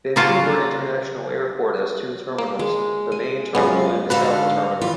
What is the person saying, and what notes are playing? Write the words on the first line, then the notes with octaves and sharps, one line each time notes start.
Vancouver International Airport has two terminals: the Main Terminal and the South Terminal.
C#3 A#3 F4 F#4 A5
A#3
G#3
G#5
F#2 G#3 B3 F4
G#2 D3 F#4 A4 B4 F5
E3 F4